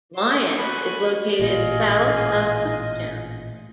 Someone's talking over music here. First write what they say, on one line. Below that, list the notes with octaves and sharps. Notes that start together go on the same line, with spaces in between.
Lyons is located south of Kutztown.
C5
A3 F#4 G#5 B5
A1 A#2 F4 G#4 D#5